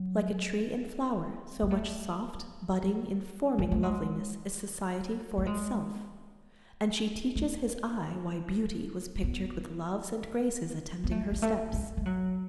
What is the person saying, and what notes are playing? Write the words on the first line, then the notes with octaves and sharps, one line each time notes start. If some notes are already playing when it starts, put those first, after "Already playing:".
Like a tree in flower, so much soft, budding, informing loveliness is society for itself; and she teaches his eye why Beauty was pictured with Loves and Graces attending her steps.
Already playing: F#3
B3
A3
G#3
A3
G#3
A3
G#3
A3
B3
B3
A3
G#3
A3
G#3
G#3
F#3